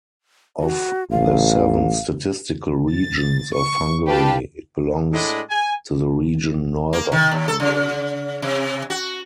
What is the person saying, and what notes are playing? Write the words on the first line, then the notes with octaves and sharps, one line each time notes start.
Of the seven statistical regions of Hungary it belongs to the region Northern Hungary.
F#4
A1 F5
A6
C#6
D4 G4 B4 F5 G5 A5
A2 G#3 D4 D5 D#5 B5
G#5
A#3
D#3
D#2
A4
C#3
C3
F#4